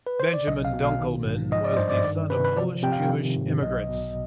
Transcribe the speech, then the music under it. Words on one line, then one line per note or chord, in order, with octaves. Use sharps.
Benjamin Dunkelman was the son of Polish-Jewish immigrants.
B4
C5
D5
B1 D#5
F5
B2
F5
D#3
G#2
F3 D#5
D5
G2 C5
D5
D#3 D5
C3 B4
B4
F3 D5
C3 G5
F5
D#3
G#2
B1 D#5
B2